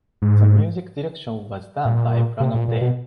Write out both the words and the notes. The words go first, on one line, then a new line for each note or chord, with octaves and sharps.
The music direction was done by Pranab Dey.
G#2
A#2
C3
A#2
A#2
B2